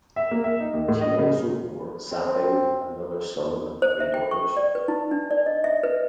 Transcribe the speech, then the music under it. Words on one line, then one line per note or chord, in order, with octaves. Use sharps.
She also bore Zaifeng another son and three daughters.
E5
A#3
E5
D#4
D#2
A2
D#5
C#3
C4
C4
C5
E5
G5
C#6
D5
B4
D#4
D4
D5
D#5
E5
B4